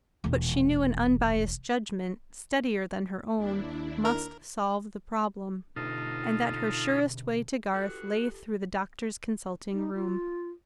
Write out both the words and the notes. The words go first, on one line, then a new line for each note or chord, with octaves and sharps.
But she knew an unbiased judgment, steadier than her own, must solve the problem; and that her surest way to Garth lay through the doctor's consulting-room.
E1 A#1
D#2 D4 E4
A#4
B2 D3 D#4 F4 G4 A4
F#4 G4 A4
D#4
F4